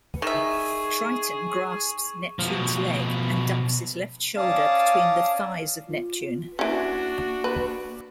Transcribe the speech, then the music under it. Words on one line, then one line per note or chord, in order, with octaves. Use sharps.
Triton grasps Neptune's leg and ducks his left shoulder between the thighs of Neptune.
D#3 G#4 E5 C#6 E7
B2 F3
C#4 D5 F5 A5 D#6
F4
E3 A#3 C#4 D4 F#4
B4